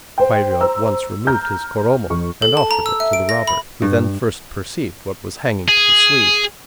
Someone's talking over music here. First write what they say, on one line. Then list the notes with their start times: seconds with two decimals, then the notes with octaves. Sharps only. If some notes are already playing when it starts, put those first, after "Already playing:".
Kwairyo at once removed his koromo, and offered it to the robber, who then first perceived what was hanging to the sleeve.
0.18 C5 G5
0.61 C5 A#5 E6
1.27 A#5 F6 G6
2.10 F2 C#6
2.42 A4
2.57 A5
2.71 A#5
2.86 E6
3.00 E5
3.13 D7
3.29 A#6
3.47 B5
3.82 G2
5.69 G#4